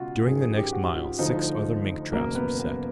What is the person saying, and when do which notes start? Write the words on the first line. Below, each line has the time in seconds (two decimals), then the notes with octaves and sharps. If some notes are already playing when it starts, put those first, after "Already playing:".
During the next mile six other mink traps were set.
Already playing: C#2 B2 F4 F#4
0.26 G#1 F#2 D#3 G#4
0.41 G#4
0.57 G4
0.72 F#4
0.96 F4
1.19 D2 D3 F3 D#4
2.13 F#1 E2 B2 A#3
2.35 B3
2.59 B3